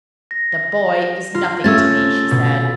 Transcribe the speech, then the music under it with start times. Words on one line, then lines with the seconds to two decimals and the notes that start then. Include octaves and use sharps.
"The boy is nothing to me," she said.
0.31 A#6
1.35 F4
1.64 A3 C#4 E6 G#6 A6
2.31 B2